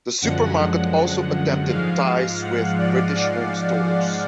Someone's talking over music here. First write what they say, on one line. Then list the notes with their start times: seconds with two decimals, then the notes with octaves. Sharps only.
The supermarket also attempted ties with British Home Stores.
0.22 F#2 D3 F3 G#3 F#5
1.68 G#2 F3 G#3 F5
2.41 F#5
2.78 D5